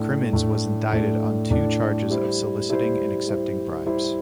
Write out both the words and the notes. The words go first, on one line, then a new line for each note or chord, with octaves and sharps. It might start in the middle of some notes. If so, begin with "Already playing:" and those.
Crimmins was indicted on two charges of soliciting and accepting bribes.
Already playing: A2 A3 D4
A2 A3 D4
A2 A3 D4
A2 A3 D4
G3 E4 C5
G3 E4 C5
G3 E4 C5
G3 E4 C5